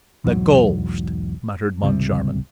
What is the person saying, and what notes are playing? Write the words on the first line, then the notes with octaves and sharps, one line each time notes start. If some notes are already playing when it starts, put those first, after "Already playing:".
"The ghost!" muttered Moncharmin.
B1 E2 G#2 F#3
G#1 C#2 C3 G3